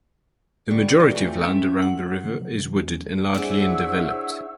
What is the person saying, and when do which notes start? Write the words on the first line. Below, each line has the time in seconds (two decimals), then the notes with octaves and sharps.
The majority of land around the river is wooded and largely undeveloped.
0.70 D3 G3 D5 C#6
1.00 E3 F#3
1.15 A3 C4 F4
1.44 C#4 E5
1.82 F#5
2.24 D3 E3 A3 A#3
2.40 C3 F3 F#3
2.62 G1 D#3 F3
2.81 E2 G#3 C#4
3.34 D4 E4 G#4 C5 C#5 E5 F#5 E6